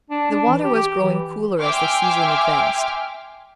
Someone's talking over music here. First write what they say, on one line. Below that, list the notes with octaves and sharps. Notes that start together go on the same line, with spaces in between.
The water was growing cooler as the season advanced.
D4
D4
E3
G4
G4
E3
E5 G5 G#5 C6 D6 F6